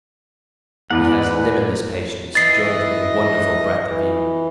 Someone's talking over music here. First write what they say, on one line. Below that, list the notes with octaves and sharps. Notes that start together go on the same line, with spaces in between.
He has limitless patience, joined with a wonderful breadth of view.
E2 B4 D5 F#5
E3 D#5 A6 C7
E3